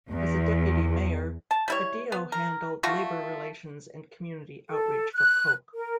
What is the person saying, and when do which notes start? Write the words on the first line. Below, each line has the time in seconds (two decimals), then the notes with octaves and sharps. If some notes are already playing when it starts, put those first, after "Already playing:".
As a deputy mayor Badillo handled labor relations and community outreach for Koch.
0.11 E2
1.51 A5
1.68 G3 E4 C#5
2.12 B3
2.32 A#4
2.83 G3 A3 F4 F#4
4.69 A4
5.14 F#6
5.74 A#4